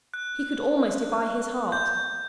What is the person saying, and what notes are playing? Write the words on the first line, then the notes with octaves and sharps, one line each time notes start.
He could almost defy his heart.
F#6
G6